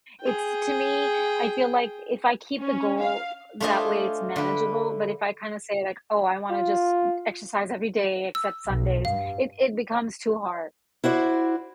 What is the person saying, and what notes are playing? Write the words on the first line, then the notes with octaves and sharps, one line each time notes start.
it's to me, I feel, like, if I keep the goal that way, it's manageable, but if I kinda say, like, "Oh, I wanna just exercise every day except Sundays," it it becomes too hard.
G#4 G5
C#4
F5
A3 D4 F4 C5 D#5 G#5
D3 B4
F4
E6
B1
G2 F5
E4 F#4 C5 D5